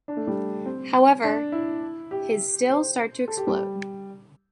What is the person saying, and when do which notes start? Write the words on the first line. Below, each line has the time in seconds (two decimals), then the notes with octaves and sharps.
However, his stills start to explode.
0.08 D4
0.17 A3
0.27 G3
0.66 C4
1.24 D4
1.52 E4
2.11 G4
2.69 C5
3.28 A4
3.37 G4
3.47 G3